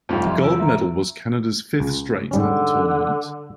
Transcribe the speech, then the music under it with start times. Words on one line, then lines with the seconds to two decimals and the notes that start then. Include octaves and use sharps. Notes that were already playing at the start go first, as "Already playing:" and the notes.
The gold medal was Canada's fifth straight at the tournament.
0.09 C2 F2 D#4 F4 G4
0.26 F3 D5 E5
0.42 F4 E6 D7
0.59 E5 A#5
1.80 C#2
2.31 G#2 D3 G3 C#4